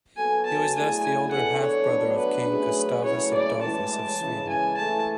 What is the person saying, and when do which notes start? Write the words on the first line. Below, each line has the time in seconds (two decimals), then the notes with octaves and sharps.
He was thus the older half-brother of King Gustavus Adolphus of Sweden.
0.17 F#3 B3 F#4 A4 G#5
0.46 A5
0.74 D3 F#3 A3 E4 G#4 G#5
1.03 G#5
1.31 E3 B3 D4 A4 F#5
1.61 C#5
1.89 A2 F#3 B3 D4
2.18 B4
2.48 F#3 A3 C#4 G#4
3.04 C#3 F#3 A3 C#4 E4 C#5
3.34 D5
3.62 A2 E3 G#3 A5
4.20 C#3 E3 G#3
4.49 G#5
4.77 E3 A3 E4 A4 A5